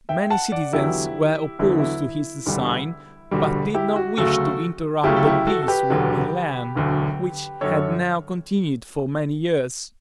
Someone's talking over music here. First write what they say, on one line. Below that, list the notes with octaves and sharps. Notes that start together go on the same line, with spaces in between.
Many citizens were opposed to his design, but did not wish to interrupt the peace with Milan, which had now continued for many years.
E5 G5
F#5 A5
D5 F#5
E2 D3 F#3 E4 G4
E2 D3 F#3 E4
E4
E1 D2 D3 G3
E1 D2 D3 G3 F#4
E4 G4
F#4
D2 C#3 F#3 A3 F#4 A4
D2 C#3 F#3 A3 E4 G4
A4
E4 G4
F#4 A4
A4
G4 B4
E1 D2 D3 F#3
E1 D2 D3 F#3
F#2 D3 A4 C#5